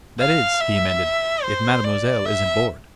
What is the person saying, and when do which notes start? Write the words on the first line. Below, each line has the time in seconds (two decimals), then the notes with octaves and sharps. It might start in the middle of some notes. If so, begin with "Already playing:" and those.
"That is," he amended, "if mademoiselle isn't bored ..."
0.19 F5
0.61 E5
1.43 C5
1.84 D5
2.25 E5